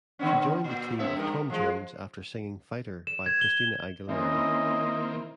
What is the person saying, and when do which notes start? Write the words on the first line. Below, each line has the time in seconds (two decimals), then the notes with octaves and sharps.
She joined the team of Tom Jones after singing Fighter by Christina Aguilera.
0.19 D3 B3 C#4
0.64 A#2
0.99 A#3 B3 E5
1.16 G2 A#4
1.50 F3 G#3
3.07 E7
3.26 G#6
3.41 G7
4.09 D#3 A#3 C4 C#4 E4 D#5